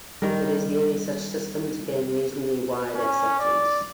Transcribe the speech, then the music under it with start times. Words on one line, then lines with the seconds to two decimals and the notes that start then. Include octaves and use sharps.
It is the only such system to gain reasonably wide acceptance.
0.22 D#3 G3 A#4
2.95 C#4
3.39 D5